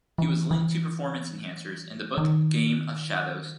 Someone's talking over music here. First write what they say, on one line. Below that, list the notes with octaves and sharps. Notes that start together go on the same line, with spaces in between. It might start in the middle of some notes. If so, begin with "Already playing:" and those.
He was linked to performance enhancers in the book "Game of Shadows".
E3
E3
D#3